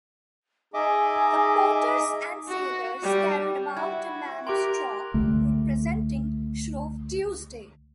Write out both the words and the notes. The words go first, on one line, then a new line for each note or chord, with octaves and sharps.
The porters and sailors carried about a man of straw representing Shrove Tuesday.
D#4 G#4 D#5 E5 G#5 D6
F#4
G3
E4 F#4 G#6
G4 A#4 C6 D6 F#6 D7
C#2 D3 A3